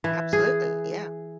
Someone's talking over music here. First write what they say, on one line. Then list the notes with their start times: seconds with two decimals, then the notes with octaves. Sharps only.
Absolutely, yeah.
0.04 E3
0.33 G#4